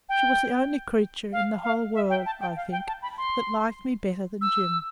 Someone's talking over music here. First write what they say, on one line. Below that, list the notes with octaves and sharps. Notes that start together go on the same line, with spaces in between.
She was the only creature in the whole world, I think, that liked me better than Jim.
G5
F5
F5
E5
G5
A5
G5
F5
G5
A5
B5
C6
E6